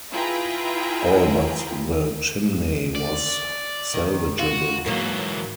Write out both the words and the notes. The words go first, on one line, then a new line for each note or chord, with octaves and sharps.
All but the chimney was salvageable.
E4 F4 G#4 B4 G5 A#5
D5
D#3
F4 F#4
G#2 E3 F#3 A#3